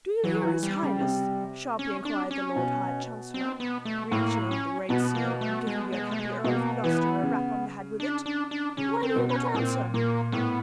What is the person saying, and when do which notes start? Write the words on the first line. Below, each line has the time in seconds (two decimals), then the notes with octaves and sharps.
"Do you hear his highness?" sharply inquired the lord high chancellor, reaching over the great seal, and giving the unhappy Earl of Gloucester a rap on the head with it, "Why do you not answer?"
0.24 E3 F#3
0.43 E3
0.63 G3
0.82 C#3
1.01 C3
1.79 C#4
2.05 D4
2.31 C#4
2.56 B2
3.34 C4
3.60 B3
3.85 A3
4.12 A2 A#3
4.51 C#4
4.89 B2 B3
5.15 A#3
5.41 A3
5.67 G#3
5.92 G#3
6.11 A3
6.19 G#3
6.44 B2 A#3
6.84 E3 B3
7.23 C#3
8.00 D4
8.26 D4
8.51 D4
8.77 C#3 C#4
9.03 C4
9.16 B2
9.29 C#4
9.54 A#2 C4
9.94 A#2 A#3
10.32 A2 B3